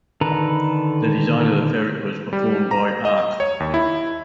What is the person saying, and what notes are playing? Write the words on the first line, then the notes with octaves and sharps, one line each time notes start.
The design of the fabric was performed by Arq.
D3 D#3 A4 B4 A#5
G3
A#5
D#5
C#5
D#2
E4